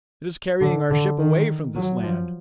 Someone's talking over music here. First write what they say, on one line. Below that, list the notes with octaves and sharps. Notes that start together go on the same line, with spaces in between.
It is carrying our ship away from this land.
D3
D3
D#3
F#3
F3